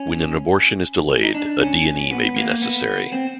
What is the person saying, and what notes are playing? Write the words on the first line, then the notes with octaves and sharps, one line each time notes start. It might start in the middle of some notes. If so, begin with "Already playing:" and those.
When an abortion is delayed, a D and E may be necessary.
Already playing: C#4
D#4
D4
C#4
B3
A#3
B3
C4